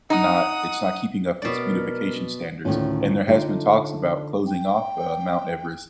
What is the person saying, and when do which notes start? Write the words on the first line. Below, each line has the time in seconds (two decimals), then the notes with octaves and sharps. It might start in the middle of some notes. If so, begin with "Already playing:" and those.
not it's not keeping up its beautification standards, and there has been talks about closing off, uh, Mount Everest,
0.10 D#4 F#5 D#6
1.42 B2 A#4 D5
2.65 D2 A2 D#3 C#4 F4
3.27 D3 A3 D#4 F4
4.47 G5